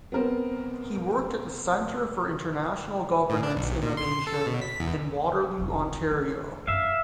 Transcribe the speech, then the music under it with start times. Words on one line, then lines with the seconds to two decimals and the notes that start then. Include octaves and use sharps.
He worked at the Centre for International Governance Innovation in Waterloo, Ontario.
0.12 B3 C4 A#4 C5
3.30 A2
3.43 D4
3.57 B1
3.82 A#2
3.97 C6
4.27 A4
4.47 B2
4.61 B6
4.80 E2
5.58 F1 C#2
6.11 D4
6.67 F#2 E5 F5